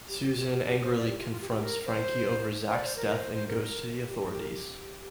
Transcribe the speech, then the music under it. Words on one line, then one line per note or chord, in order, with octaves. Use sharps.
Susan angrily confronts Frankie over Zack's death and goes to the authorities.
G4
G4
G4
G4
G4
C5
D5
G4
F4
F4
G4
F4
G4
A#4
C5
C5
D5
C5
A#4
A#4
C5
C5
A#4
G4
G4
G4
A#4
G4